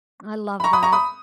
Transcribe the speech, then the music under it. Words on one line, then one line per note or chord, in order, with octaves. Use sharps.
I love that.
B5
A#5 C#6
B5 D#6
A#5 C#6
B5 D#6